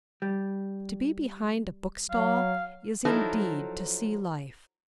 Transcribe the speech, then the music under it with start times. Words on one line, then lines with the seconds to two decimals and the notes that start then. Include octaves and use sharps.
To be behind a bookstall is indeed to see life.
0.22 G3
2.11 F#3 F5
3.05 F3 F#3 D#4 E4 A4 A#4